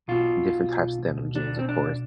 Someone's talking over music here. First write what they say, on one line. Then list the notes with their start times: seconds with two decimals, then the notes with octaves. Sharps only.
different types of denim jeans, of course.
0.08 B1 B2 F4
1.36 D4
1.59 C4
1.69 D4